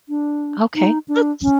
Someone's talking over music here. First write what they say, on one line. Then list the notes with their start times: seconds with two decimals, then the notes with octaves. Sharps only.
Okay, that's
0.09 D4
0.75 D#4
1.08 D4
1.42 C#4